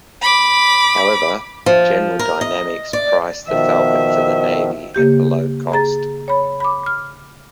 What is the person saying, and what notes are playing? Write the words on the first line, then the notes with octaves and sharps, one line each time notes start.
However, General Dynamics priced the Falcon for the Navy at below cost.
B5 D6
F3
A#4
D#5
D5
B2 D#3 F3 E5
C#3 A#3 G4 G6
G#4 A#5 A6
C#5 B5
B5 D6
F6